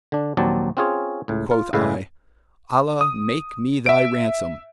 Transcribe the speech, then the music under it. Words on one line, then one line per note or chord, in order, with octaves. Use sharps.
Quoth I, 'Allah make me thy ransom!
D3 D4
A#1 D#2 F#3 C4 D5 A5
C4 C#4 F4 G#4 C#5
C#2 A2
F4
A2 C#3 G#3 B4 E5 F5
D#6
E5 D7